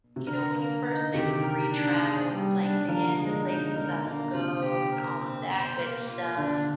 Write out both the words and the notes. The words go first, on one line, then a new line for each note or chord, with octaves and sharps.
you know, when you first think of free travel, it's like, "Man, the places I would go and all of that good stuff,"
C3
D3 A#4
A#3
D#4
C3 D#3 G4
A#4
D4
G#4
G3
D4
D3 F3 A#4
G#3
D3
D#4
D3 A#4
D3 A#3
C3 F4
G4
A#4
C4
C5
A#3
F4
D3 D4